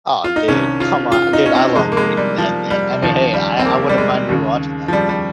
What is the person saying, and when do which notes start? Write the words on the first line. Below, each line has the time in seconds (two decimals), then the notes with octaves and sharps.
Oh, dude. Come on. Dude, I love Breaking Bad, man. I mean, hey. I I wouldn't mind rewatching that again.
0.24 F4
0.36 D#4
0.48 C2 C3 D#3 C#4
0.80 F4
1.12 F4
1.33 D#4
1.46 C#4
1.55 C4
1.76 F2 C3 D#3 G#3
1.92 A#3
1.97 G#3
2.17 G3
2.38 F3
2.71 G3
3.03 D#2 C#3 F3
3.34 G3
3.59 C4
3.66 A#3
3.89 G3
3.98 G#3
4.29 D#2 C#3
4.88 F3
4.93 G3
5.09 G3